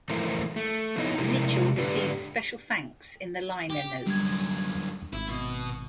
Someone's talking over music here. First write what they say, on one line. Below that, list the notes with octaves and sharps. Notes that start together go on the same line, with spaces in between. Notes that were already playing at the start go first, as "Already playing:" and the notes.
Mitchell receives special thanks in the liner notes.
E3 F3 A3 E4 A#4 C5
A3
F3 B3 D#4 E4 C#5 D#5
C3 F3 G#3 E4 G4 A#4
G#2 D3 G4 B4 D5
G4
F#2 D3 G3 G#6
G#1 E4
B2